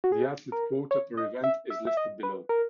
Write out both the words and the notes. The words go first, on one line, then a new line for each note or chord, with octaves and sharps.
The athlete quota per event is listed below.
F#4
G#4
A#4
C#5
D#5
E5
E5
E5
D#5
B4
A#4